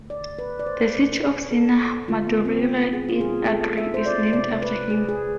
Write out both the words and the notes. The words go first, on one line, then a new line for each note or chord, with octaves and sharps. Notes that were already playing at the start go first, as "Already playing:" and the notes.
The city of Sena Madureira in Acre is named after him.
Already playing: D3 A3
D5
B4
D5
C5
B2 A3
A4
D3 G#3 F4
B3
C4
B3
G#4
F4
B2 G#3 G#4
A4
E5
C5
D5
C3 G#3 D5
B4
G#4
G#4